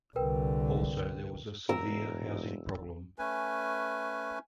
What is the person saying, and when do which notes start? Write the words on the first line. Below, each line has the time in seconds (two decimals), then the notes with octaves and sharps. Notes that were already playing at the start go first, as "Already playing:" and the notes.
Also, there was a severe housing problem.
0.16 C2 D3 A#4 B4 G5
1.69 E1 A#4 E6
3.19 A3 C#4 B4 G#5